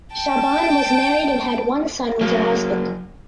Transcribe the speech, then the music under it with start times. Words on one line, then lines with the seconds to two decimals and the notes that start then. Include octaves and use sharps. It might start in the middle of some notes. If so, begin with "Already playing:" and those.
Shaaban was married and had one son with her husband.
0.15 G5 A5
2.21 F#3 A#3